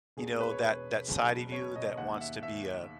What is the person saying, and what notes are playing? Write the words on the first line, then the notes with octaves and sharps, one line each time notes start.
you know, that that side of you that wants to be a
E1 E2 B2 G#4
B4
C#5
B4
F#1 E2 B2
C#5
D#5
D#2 D#3 F#5
E5
E5